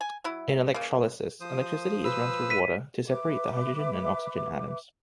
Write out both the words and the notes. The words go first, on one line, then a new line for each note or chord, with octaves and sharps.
In electrolysis, electricity is run through water to separate the hydrogen and oxygen atoms.
G#5
F#3 E4
C#3 A#3
F3 C5 D#6
B4 E6
B6 D#7
B4 E5 D6